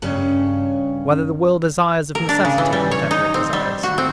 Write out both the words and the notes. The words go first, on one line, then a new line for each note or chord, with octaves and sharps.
Whether the Will Desires of Necessity, Whatever It Desires?
G2 C#3 C#4
A#4
D4
C#3
E3
G3
C#5
D#4
C4
G3
F#4
C4